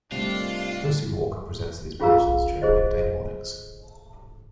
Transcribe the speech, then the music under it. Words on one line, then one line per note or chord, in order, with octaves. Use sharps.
Lucy Walker presents these bulletins during weekday mornings.
C3 D#3 G3 A3 D4 F4 G4
C#4 F4 G#4 F5 A#5 E6
G#4 C5 D#5